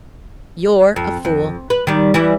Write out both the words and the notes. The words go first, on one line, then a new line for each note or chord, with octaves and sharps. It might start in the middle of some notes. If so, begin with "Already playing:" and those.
You're a fool.'
F2
F2
B4
D#3 G3
E3 G3 E4